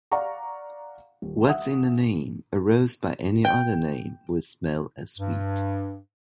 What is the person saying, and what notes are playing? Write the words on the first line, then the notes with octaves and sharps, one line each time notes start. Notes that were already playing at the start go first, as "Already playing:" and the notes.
What's in a name? A rose by any other name would smell as sweet.
D5 F5 F#5 A#5 C#6
D#1
E5 F#5 D#6
G5
G2